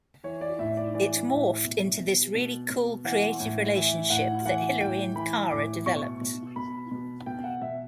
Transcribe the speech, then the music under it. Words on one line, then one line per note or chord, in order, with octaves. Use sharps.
It morphed into this really cool creative relationship that Hilary and Kara developed.
E3 C#5
D5
A2 E5
D5
E3 D5
A2 E5
B2
B2
B2
B2
E3 F#5
A2
E3 E5
A2 F#5
E3 F#5
A2 G5
E3 B5
A2 D6
B2 C#6
B2
B2 B5
B2
B2 G5
F#5
B2 E5